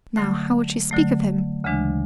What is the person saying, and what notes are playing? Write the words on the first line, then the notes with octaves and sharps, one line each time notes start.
"Now, how would she speak of him?"
D3 F#3 A3
D3 F#3 A3
D2 C#3 E3 G#3 D4